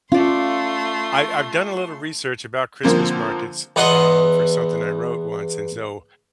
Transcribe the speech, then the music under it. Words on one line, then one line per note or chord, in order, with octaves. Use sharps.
I I've done a little research about Christmas markets, um, for something I wrote once, and so
A3 C#4 F4 D5 C6
D3 F3 A#3 C4
E2 B3 B4 D#5 F#5 C6